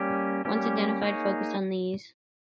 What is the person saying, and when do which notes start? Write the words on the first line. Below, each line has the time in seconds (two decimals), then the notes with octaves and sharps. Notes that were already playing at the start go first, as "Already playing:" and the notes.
Once identified focus on these.
Already playing: G3 A#3 C#4 G4
0.45 G3 A#3 C#4 G4
1.02 A#3 D#4 G#4 C#5